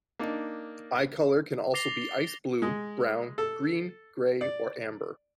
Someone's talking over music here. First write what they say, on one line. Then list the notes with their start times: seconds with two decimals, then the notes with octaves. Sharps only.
Eye color can also be ice blue, brown, green, gray, or amber.
0.19 A#3 D4 D#4
1.74 D6 A6 A#6 C7 F7 G7
2.62 G#3
3.38 A4
4.41 D5